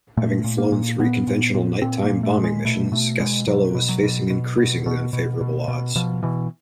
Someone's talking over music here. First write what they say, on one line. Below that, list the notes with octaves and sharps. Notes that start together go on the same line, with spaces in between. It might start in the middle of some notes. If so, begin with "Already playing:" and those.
Having flown three conventional night-time bombing missions, Gastello was facing increasingly unfavorable odds.
A#2 A3
A#2
A#3
A#2
A#2 B3
A#2
A#2
A#2 C4
A#3
A#2
A3
A#2
G#3
B2 A3
B2 A3
B2 G#3
B2 F#3
B2
F#3
B2
B2
B2
B2
B2
B2
B2
B2 F3
B2 E3